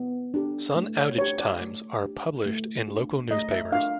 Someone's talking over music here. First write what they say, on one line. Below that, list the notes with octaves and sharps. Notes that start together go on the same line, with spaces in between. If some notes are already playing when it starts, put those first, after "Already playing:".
Sun outage times are published in local newspapers.
Already playing: B3
D4 G4
A3
C#5
D4 G4 C#5
D5
A3
D4 G4
A3
D4 F4
A3 D#5
E5
D4 F4 F5